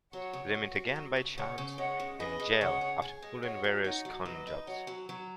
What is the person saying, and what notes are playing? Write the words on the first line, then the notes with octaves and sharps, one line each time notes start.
They meet again by chance in jail after pulling various con jobs.
F#3 C#5 F#5
C#3
F#4
F#4
F#3
C#3
C#3 C#5 F#5
C#3
G#3 C#5 F#5
C#3
G#4 B4 D#5
G#3
C#3 C#5 F#5
G#4
G#4
G#3
F#4 C#5 F#5
F#3
D#4 C#5 F#5
F#3
F#3 B4 D#5
D#4
F#3 C#5 F#5
F#3
F#3